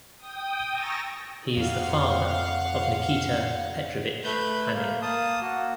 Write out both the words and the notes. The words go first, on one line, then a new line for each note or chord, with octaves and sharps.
He is the father of Nikita Petrovich Panin.
G5 D#6
G#5 A#5 C#6 E6 A6 A#6
F2 F5 F#5
A3 B4 B5 G6
A#3
A#3 A5 D#6
A#3 F#4